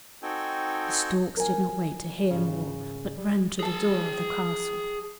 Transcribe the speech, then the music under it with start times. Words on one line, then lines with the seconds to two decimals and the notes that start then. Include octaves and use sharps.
The storks did not wait to hear more, but ran to the door of the castle.
0.22 C4 D#4 F#4 A4 G5 G#5
1.37 A#4 G#5
2.31 G#2 C#3
3.18 G3
3.60 G#4 A5